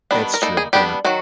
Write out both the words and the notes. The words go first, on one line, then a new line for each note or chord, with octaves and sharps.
That's true, yeah.
D#3 G3 B3 D4
A#4
G3 A#3 D#4 A4
G#4
G3 B3 D4 G4
D#3 F#3 F#4